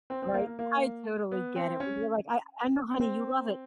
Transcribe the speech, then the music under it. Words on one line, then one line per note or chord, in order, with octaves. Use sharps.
Right, I totally get it when you're like, "I I know, honey, you love it.
C4
C4
A#3
A#3
A#3
B3
C4
C#4
C4